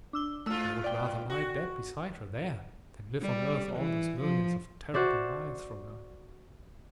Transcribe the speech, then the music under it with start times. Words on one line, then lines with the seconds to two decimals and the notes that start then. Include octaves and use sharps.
I would rather lie dead beside her there than live on Earth all those millions of terrible miles from her.
0.13 D4 E6 G7
0.46 G#2 A3 F4 E6
0.84 D5 G5
1.30 F#4
3.22 G3
3.76 E3
4.20 F3
4.94 F#4 C5 D5 E5